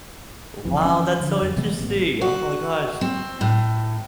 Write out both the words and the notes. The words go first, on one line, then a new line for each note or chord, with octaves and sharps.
Wow, that's so interesting. Oh my gosh,
F1 F2 E3
E3 F3 C#4
D3 F3
F2
C3 E3 G#3 B3
A1 B3
F#4
C4
A2